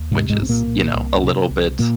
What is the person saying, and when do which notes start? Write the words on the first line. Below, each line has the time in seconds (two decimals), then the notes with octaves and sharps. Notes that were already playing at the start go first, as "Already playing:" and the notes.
which is, you know, a little bit,
Already playing: D#2
0.11 G#2 C3 G#3
0.30 G#2 G#3
0.40 C2 C4
0.49 A#2 A#3
0.67 A#2
0.95 C2
1.23 C3
1.51 C2
1.79 A#2 A#3